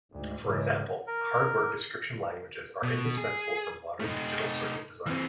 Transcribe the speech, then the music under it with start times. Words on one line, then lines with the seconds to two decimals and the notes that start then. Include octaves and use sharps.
For example, hardware description languages are indispensable for modern digital circuit design.
0.12 D2 G#2
0.42 G#2 C#3 E3
1.07 A#4
2.83 B2
3.17 G#4
4.00 A3 D#4
5.06 E3 C4